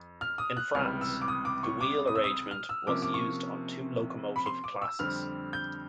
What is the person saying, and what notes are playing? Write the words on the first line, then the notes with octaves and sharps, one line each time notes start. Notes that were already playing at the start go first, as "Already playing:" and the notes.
In France, the wheel arrangement was used on two locomotive classes.
Already playing: F2
F6
D#6
F#6
C#2 C3 E3 G3 F6
E6
D6
D#6
D6
C#6
D6
D#6
E6
D#6
F6
E6
C3 F3 A#3 C#4 D6
D6
C#6
B5
C6
D6
E6
F2 D3 G3 C4 F6
G6